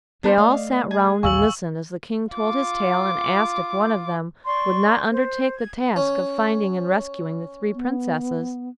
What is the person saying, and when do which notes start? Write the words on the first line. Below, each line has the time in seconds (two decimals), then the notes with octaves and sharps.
They all sat round and listened as the King told his tale and asked if one of them would not undertake the task of finding and rescuing the three princesses.
0.24 B3 D4 B4 C5
0.38 A3 D5 D#5 F5
0.91 G#4
1.23 A1 D#2 A#2 F5 G#5 C#6 E6 F#7
2.34 F4 D6
4.45 D5 C6 C#6
5.12 C5
5.56 G#6
5.96 C#4
7.74 B3